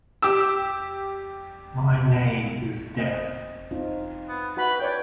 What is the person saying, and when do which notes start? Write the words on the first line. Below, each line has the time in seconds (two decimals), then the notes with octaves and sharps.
My name is death!
0.22 G4 D6 E6
2.96 C4 D#5
3.71 C4 D#4 F4
4.28 B3
4.57 F#4 B4 F#5 B5
4.79 B4 C#5 D5 G5